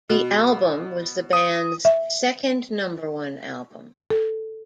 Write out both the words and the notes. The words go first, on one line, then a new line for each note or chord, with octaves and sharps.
The album was the band's second number one album.
B2
D#6
E5
A4